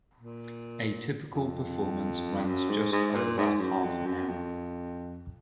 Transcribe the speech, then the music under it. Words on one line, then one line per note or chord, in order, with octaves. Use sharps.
A typical performance runs just over half an hour.
A#2
F2
F#2
G#2
G#2
A#2
G#2
F#2
F2
F#2
F2